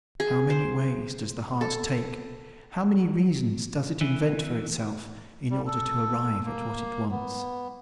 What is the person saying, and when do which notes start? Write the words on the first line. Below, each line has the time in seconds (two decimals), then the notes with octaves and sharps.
How many ways does the heart take, how many reasons does it invent for itself, in order to arrive at what it wants!
0.20 G#4
0.50 C5
1.61 A4
4.01 E3
5.51 G3
5.67 A4
6.45 A#3
7.11 B3